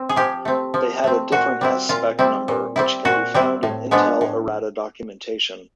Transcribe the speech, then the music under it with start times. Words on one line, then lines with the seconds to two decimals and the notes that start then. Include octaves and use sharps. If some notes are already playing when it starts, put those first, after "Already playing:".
They had a different S-Spec number which can be found in Intel errata documentation.
Already playing: C4
0.09 G#4
0.16 F3 G4
0.45 A3 C4
0.74 F3
1.04 A3 C4
1.32 A#2 F#4
1.61 G3 C4 E4
1.89 A#2 F4
2.19 G3 C4 E4
2.48 A#2
2.76 G3 C4 E4
3.05 A#2 F#4
3.34 G3 C4 E4
3.63 A2
3.91 F3 G#3 B3 D4
4.21 A2